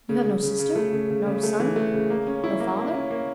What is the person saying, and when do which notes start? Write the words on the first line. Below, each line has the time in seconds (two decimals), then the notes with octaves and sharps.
"You have no sister--no son--no father?"
0.09 C#3
0.26 C#3
0.43 C#3
0.59 C#3
0.76 A3
0.93 C#3
1.10 C#3
1.26 C#3
1.43 A3
1.60 E3
1.76 A3
1.93 C#3
2.10 A#3
2.27 C#4
2.44 E4
2.60 A#3
2.77 A#3
2.94 C#4
3.11 A#3